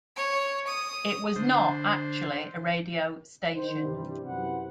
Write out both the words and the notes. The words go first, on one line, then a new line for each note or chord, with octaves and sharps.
It was not actually a radio "station".
C#5
D#6
D3 C5
D#3 C5
G2 C3 E3 G3
F#2 C3 E4 B4 C5 F#5